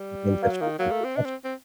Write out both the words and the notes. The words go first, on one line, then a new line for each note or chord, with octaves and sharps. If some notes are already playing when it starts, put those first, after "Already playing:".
keep in touch you keep in touch
Already playing: G3
F#3 A#3
D#3 A#3
F#3 A#3
A3
C4
D4
C4
C4